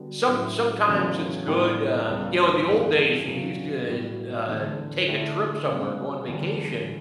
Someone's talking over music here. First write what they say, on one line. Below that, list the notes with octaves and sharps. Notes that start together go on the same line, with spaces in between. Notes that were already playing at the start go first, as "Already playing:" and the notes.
some sometimes it's good, um you know, in the old days, when you used to, uh uh, take a trip somewhere, go on vacation,
Already playing: D3 G3 B3 F#4
A2 F#3 C#4 E4
E2 C#3 F#3 A3 C#4
A2 G3 B3 E4 G4
C#2 C#3 G3 B3
G2 E3 B3 E4 G4
E2 C#3 F#3
A2 G3 B3 F#4
E2 D3 A3
D3 A3 E4 G4
C#3 G3 B3
E2 D3 G3 D4